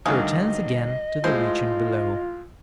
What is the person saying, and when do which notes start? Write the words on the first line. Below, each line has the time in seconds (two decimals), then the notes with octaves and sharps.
He returns again to the region below.
0.06 D2 G2 D#3 F#3 G#4 D#5 F5
1.24 A2 G#3 F4 C5